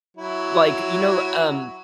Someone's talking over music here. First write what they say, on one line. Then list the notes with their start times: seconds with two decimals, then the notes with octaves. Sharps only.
like, you know, um,
0.17 F#3 E4